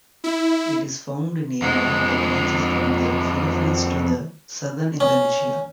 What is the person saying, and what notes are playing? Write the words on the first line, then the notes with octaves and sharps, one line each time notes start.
It is found in area that ranges from the Philippines to the southern Indonesia.
E4
F2 G#3
C#4